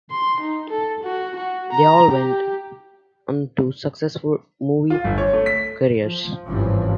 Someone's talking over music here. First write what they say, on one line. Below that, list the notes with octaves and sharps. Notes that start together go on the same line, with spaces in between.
They all went on to successful movie careers.
C6
D#4
A4
F#4
F#4
A#5
G4
F4
G1
C#5
A3
B6
F3
G#1 G2 C#3 E3 F3